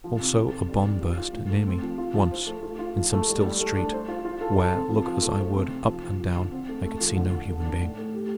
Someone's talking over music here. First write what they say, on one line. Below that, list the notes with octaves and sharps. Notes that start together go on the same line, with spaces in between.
Also, a bomb burst near me, once, in some still street, where, look as I would, up and down, I could see no human being.
F3
C3
C4
A4
G3
G3
F4
F4
A2
A4
C4
F3
F4
F3
C5
A3
F4
F4
F3
A3
G3
G3
A3
D4
C5
F4
F4
A4
A4
C4
F3
F3
A3
C5
C4
C3
F3
F3
F3
D3
C4
A3
A3
F3
D3
D3
A4
D4
A2
A3
G4